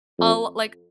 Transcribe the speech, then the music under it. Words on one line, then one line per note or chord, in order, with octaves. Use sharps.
I'll, like
F2